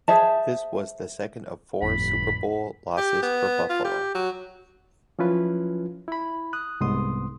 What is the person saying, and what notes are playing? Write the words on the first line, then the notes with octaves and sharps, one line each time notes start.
This was the second of four Super Bowl losses for Buffalo.
G#4 C5 E5 A5
G1 F2 A2 B5
G4
B3
F4
G4
F#3
F3 F#3 C#4 E4 F4 B4
E4 B5
D#6 F#6
C2 G#2 B3 C6 D#6